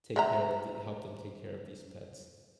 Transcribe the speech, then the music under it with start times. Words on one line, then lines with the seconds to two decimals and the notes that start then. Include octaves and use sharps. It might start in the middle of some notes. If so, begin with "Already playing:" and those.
take care of the help them take care of these pets.
0.16 G#3 E5 A#5